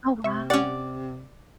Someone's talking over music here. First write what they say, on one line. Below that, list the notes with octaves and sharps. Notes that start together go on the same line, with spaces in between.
Oh, wow.
C3 E5 C#6
C#4 G4 D5 F#5 A6